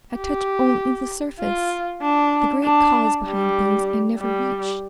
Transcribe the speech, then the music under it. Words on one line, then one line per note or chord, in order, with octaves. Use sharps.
I touch only the surface. The great cause behind things I never reach.
G4
F4
D4
D4
G3
G3